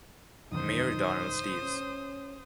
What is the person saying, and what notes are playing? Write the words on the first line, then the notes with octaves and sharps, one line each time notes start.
Mayor Donald Steeves.
E1 F#2 D#3 D#4 C5 D#6
C#4